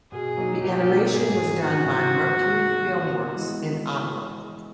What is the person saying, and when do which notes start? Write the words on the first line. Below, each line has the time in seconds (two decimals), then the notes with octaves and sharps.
The animation was done by Mercury Filmworks in Ottawa.
0.12 B2 G#4
0.37 F#3 A#3 D#4
0.61 B2 G4
0.86 F#3 A#3 D#4
1.11 G#2 G#4
1.36 E3 G3 C4
1.61 G#2 F#4
1.86 E3 G3 C4
2.11 D#3
2.35 G3 A#3
2.60 D#3
2.86 G3 A#3
3.11 E3
3.35 G#3 B3 E4